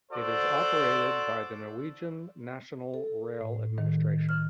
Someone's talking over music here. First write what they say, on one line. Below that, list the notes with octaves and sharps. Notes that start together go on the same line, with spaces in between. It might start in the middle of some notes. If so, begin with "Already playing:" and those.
It is operated by the Norwegian National Rail Administration.
F#4 A4 C5 D5
A4
A2
D#3
F6